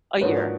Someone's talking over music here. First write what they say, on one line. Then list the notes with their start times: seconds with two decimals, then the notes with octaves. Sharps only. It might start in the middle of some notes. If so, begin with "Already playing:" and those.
A year.
0.21 G#2 F3 A#3 D4 F#4 B4 C#5